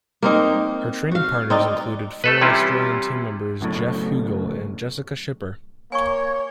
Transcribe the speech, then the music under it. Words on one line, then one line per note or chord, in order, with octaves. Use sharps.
Her training partners included fellow Australian team members, Geoff Huegill and Jessicah Schipper.
A#3 C4 D#4
F#4 F5
C4 D#4 D5
A3 A4 B4
C3 E3 G3 C#4 E4 F4
F#1 F#2 A2
A#3 C#5 G#5 C#6